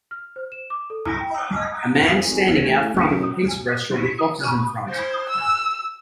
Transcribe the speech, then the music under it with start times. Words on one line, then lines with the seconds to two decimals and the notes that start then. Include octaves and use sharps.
A man standing out front of a pizza restaurant with boxes in front.
0.11 F6
0.36 C5
0.52 E7
0.70 D6
0.90 A4
1.08 A#6
1.20 G5
1.35 E6
1.56 D#5
1.94 F2
2.31 G#1
2.45 E1
2.65 A1
2.79 A2
2.94 F#1
3.08 F#2
4.90 C5
5.29 E6